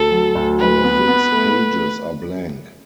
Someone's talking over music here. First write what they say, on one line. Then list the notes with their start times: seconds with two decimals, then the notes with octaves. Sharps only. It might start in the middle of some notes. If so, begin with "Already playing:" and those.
All of its pages are blank.
Already playing: D2 A4
0.10 F#3
0.35 D2
0.59 F#3 B4
0.84 B3
1.08 B3
1.32 A3